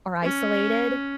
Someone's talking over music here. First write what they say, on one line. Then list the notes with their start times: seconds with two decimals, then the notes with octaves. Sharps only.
are isolated
0.23 C#4